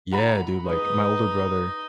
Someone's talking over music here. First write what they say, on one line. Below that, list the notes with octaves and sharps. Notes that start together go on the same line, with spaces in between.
Yeah, dude, like, my older brother
F#5 A#5 B5
D#4 G#4 B4 D#5